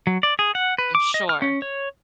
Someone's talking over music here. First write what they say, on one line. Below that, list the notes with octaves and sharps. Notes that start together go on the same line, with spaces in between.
I'm sure.
F#3
D5
G#4
F#5
B4
D6
D#5
F6
C#4
C#5